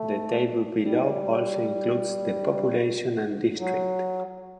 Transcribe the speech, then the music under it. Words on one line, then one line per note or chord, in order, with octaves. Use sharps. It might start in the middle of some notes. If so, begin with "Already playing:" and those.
The table below also includes the population and district.
Already playing: A3
G3
F#3